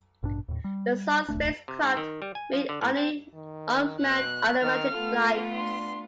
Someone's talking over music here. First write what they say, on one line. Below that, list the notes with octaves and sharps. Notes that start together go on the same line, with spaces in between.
The Zond spacecraft made only unmanned automatic flights.
A1 G2 B2 D4
D#2 A2
G3
D1 B1 A3 D4
C3
G#2
D#3
G3
G#5
F3
D3
A2
C4
D#3
B2 F#6
D#3 F6
A3 B3 F4 A4
D4 C6